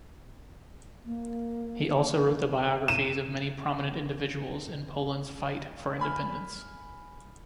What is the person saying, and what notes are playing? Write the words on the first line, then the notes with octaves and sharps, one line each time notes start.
He also wrote the biographies of many prominent individuals in Poland's fight for independence.
A#3
D#7 E7
G#5 B5 F6